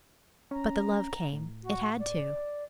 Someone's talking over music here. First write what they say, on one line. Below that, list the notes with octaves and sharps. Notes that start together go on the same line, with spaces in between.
But the love came ... it had to.
C#4 A#5
A2
F#4
D5